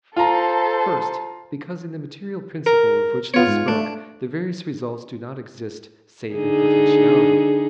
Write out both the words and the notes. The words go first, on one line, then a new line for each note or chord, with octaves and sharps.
First, because in the material principle of which they spoke, the various results do not exist save in potentiality.
F4 A4 C5 A5 A#5
A#4
B3 F4 C#5
G#2
A3 D4
D3 D#4 G#4